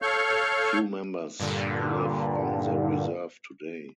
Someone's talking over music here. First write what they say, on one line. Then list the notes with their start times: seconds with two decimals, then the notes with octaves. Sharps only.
Few members live on the reserve today.
0.02 A4 C#5 F5 C#6 F6 G6
1.40 G2 A#2 D3